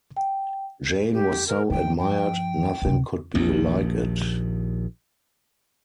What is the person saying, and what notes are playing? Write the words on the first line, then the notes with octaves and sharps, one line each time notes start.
Jane was so admired, nothing could be like it.
G5
G4
A#4
G2 F3 G5
G5
D2 C3
A#1 D#2